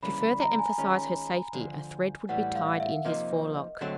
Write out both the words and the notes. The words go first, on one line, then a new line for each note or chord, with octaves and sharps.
To further emphasize her safety a thread would be tied in his forelock.
D2 C#3 E3 G3 A#3 B5
B5
A#5
G#5
D#3 G#3 C#4 F4
D2 D3 F3
A2 E3 G3 F#5
F5
E5
C3 F3 A#3 D#4 D#5
D3 F#3 A3 C4